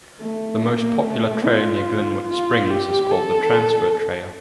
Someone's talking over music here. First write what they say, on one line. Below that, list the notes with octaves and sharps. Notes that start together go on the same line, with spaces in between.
The most popular trail near Glenwood Springs is called the Transfer Trail.
A3
A#3
A3
F4
F4
G4
A4